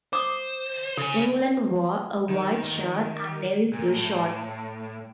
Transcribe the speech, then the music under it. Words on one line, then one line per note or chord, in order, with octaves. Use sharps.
England wore a white shirt and navy blue shorts.
C5 D6 D#6
C#3 A4 G#5
D#3
A#2
A2